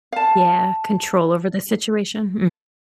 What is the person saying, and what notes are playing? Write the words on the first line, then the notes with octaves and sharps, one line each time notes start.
yeah, control over the situation,
F5 A5